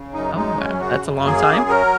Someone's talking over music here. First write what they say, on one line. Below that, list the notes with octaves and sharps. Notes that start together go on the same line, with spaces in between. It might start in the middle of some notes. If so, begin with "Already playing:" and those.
Oh, wow, that's a long time.
Already playing: C#3
F#2 D#4
G#3 D#4
F#2 C#4
C#3 F#4
F#2
A#3 G#4
F#2
F#3 A#4